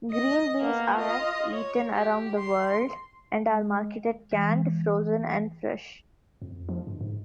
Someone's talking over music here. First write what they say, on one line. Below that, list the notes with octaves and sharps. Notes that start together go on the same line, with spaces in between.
Green beans are eaten around the world, and are marketed canned, frozen, and fresh.
D#5
A#3 B3
F4 D#5
C#5
G4
C6
G#3
E3 G#3
F2
F3
G2
G#2